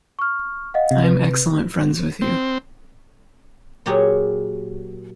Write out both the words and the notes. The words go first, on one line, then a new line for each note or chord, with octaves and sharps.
I am excellent friends with you.
C#6 F6
D#5 F5 F#5
C3
B4
C4
A#2 F#3 G4 G#4 A#4 C#5